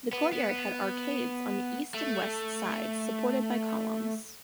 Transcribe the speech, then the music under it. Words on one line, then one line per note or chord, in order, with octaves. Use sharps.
The courtyard had arcades on the east and west sides, supported by columns.
B3
B3
A3